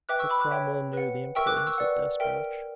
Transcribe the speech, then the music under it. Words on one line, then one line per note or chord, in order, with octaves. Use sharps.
But Cromwell knew the importance of despatch.
B4 E5 G5 D6 F#6
C#6 E6
B5 D6
D6 F#6
C#5 E5 G5
B4 F#5
A#4 E5 G5 C#6 E6
D6 F#6
D6 F#6
C#6 E6
B4 D5 F#5
A#4 E5 G5